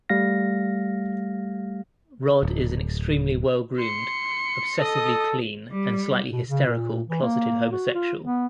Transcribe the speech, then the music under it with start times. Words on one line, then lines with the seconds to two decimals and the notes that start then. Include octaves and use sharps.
Rod is an extremely well-groomed, obsessively clean, and slightly hysterical closeted homosexual.
0.09 G3 A3 F5 A#6
2.43 D1
3.76 C6 C#7
4.79 A4 D#5 D#6
5.70 G3
6.32 B2
6.48 C#3
6.66 A#2
7.08 E3
7.22 A#3
7.72 F#4
7.94 F4
8.24 B3